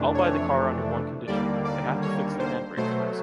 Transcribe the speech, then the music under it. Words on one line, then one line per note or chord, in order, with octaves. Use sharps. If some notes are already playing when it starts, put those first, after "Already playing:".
I’ll buy the car under one condition, they have to fix the handbrakes first.
Already playing: F2 C3 E3 A3 D4
C#5
D#2 D3 G3 A#3 D5
D5
C#5
C5
B2 F#3 A3 C5